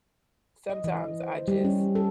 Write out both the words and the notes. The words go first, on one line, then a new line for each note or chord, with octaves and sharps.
sometimes I just
D#5
E3
C5
G3
C#4
A4